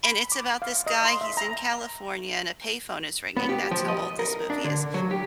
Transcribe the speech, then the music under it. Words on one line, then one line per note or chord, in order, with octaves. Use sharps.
and it's about this guy, he's in California, and a payphone is ringing, that's how old this movie is.
B5
D6
F5
D#5
C6
E5
A#5
B3
G4
F3
D#5
A#4
D4
D3
F#3
G4